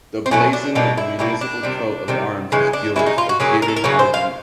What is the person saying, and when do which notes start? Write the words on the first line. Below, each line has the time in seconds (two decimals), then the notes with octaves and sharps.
The blazon of the municipal coat of arms is Gules a Guidon Argent.
0.26 C4
0.31 B2 F#3 A3 C#4
0.53 D4
0.75 B2 G3 A#3 D#4
0.98 E4
1.19 B2 G3 A#3 E4
1.41 D4
1.63 C3 D#3 G3
2.08 C3 D#3 G3
2.52 C#3 E3 G#3
2.73 D4
2.96 C#3 E3 G#3 E4
3.06 D#4
3.18 F4
3.29 F#4
3.40 C#3 F#3 A#3 G#4
3.62 A#4
3.68 A4
3.76 A#4
3.84 C#3 F#3 A#3 B4
3.99 C5
4.14 F5